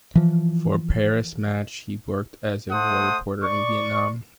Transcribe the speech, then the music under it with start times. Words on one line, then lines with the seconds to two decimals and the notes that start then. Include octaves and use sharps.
For "Paris Match" he worked as a war reporter in Vietnam.
0.15 E3 F3
2.71 A3 C5 F#5 D#6
3.43 D5 C#6